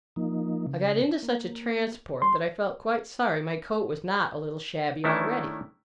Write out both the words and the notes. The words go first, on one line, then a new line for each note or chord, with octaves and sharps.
I got into such a transport, that I felt quite sorry my coat was not a little shabby already.
F3 A#3 D#4
C#3
A#3
G3 C6
D#3 A3 C#4 D4 E4